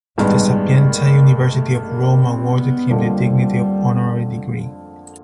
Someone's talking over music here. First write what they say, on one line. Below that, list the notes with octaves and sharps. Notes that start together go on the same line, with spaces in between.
The Sapienza University of Rome awarded him the dignity of Honorary degree.
A1 G2 D#3 G3 G#3 B3
A#3
A3
A#3
C4
B3
F2 D3 F3 G3 A#3